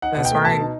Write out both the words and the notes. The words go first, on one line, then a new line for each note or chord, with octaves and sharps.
That's right.
D#4 F#5
B2 F#5
G5
A3
B2 A5
D#4